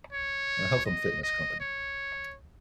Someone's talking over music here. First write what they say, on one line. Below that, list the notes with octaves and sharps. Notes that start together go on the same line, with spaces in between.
A health and fitness company.
C#5
D#5
D#5
C#5